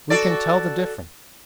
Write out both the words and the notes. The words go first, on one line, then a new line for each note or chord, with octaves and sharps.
We can tell the difference.
F#4 A4 D5